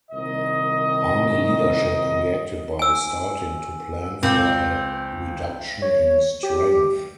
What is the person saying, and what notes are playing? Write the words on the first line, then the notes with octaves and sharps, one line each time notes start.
Army leadership reacted by starting to plan for a reduction in strength.
C2 A#2 D#3 D#5
G#5 E6
C#2 C4 D6 G6
C#5
G4